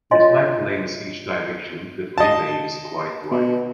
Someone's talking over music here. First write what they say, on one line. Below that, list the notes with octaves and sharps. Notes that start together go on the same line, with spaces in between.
With five lanes each direction, the freeway is quite wide.
F4 C#5 D#5 G#5 C6
D#5 A5
B2